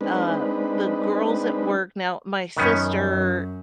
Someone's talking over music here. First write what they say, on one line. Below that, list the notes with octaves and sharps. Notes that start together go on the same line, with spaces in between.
uh, the girls at work now my sister
G#3 C4 D4 D#4 B4
F#2 D#3 B3 C#4